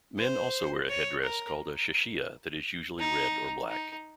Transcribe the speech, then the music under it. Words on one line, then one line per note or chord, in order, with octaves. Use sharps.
Men also wear a headdress called a 'Shashiyah' that is usually red or black.
C5
C#5
A#4
D#4
D#4